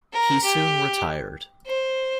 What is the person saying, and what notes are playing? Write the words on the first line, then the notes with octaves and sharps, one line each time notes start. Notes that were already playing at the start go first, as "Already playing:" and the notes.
He soon retired.
A#4
G4
C5